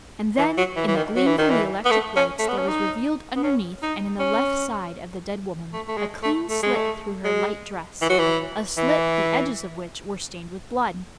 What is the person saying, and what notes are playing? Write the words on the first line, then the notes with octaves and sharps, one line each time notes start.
And then, in the gleam from the electric lights there was revealed underneath and in the left side of the dead woman a clean slit through her light dress--a slit the edges of which were stained with blood.
E3
F#3
E3
E3
D#3
F#3
E3
D#3
E3
B3
A3
C#4
A3
B3
C#4
D#4
B3
C#4
D#4
C#4
A3
A3
G#3
A3
A3
G#3
A3
G#3
E3
F#3
E3
E3